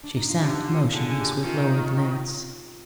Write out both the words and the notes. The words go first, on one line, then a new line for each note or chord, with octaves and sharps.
She sat motionless, with lowered lids.
D4
D#4
F4
D3 G4
F4
D3 G#4
G#4
G4
D#3 F4